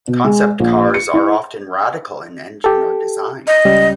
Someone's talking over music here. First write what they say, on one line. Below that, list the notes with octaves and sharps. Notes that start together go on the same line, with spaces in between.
Concept cars are often radical in engine or design.
B2
G#3
A#1
C#7
E4
G4 A4
D#5
C#2 G3 C#4